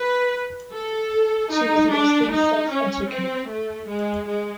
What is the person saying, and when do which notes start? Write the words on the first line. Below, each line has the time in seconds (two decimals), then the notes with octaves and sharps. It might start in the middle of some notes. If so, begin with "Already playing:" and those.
She was mostly self-educated.
Already playing: B4
0.72 A4
1.52 D#4
1.91 D4
2.31 D#4
2.70 C#4
3.10 C4
3.48 A3
3.88 G#3
4.27 G#3